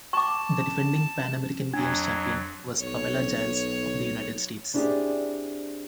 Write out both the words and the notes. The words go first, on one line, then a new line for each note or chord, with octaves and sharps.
The defending Pan American Games champion was Pamela Jiles of the United States.
A5 C#6 D6
F2 F#3 D4
B1 C#5
C4 D4 E4 G4 G#4